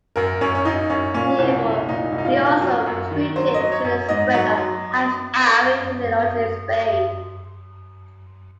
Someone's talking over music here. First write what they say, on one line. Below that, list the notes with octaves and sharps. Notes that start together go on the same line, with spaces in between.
He also contributed to the spread of Ash'ari theology in Spain.
F#2 A#4
F#2 C#4
C#4
F#2 D#4
F#2 C#4
A#2 C#4
C2
C2
A#2 D#4
C2
D#4
F4
A#2
F#3 F#4
F#2
D#3
F#3 C5
D#5
F#3
C#5
F#2
G#2 D#5
F#3
F#3